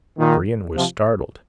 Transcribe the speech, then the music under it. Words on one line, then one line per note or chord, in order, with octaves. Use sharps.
Brion was startled.
A#2 D#3
C3 F3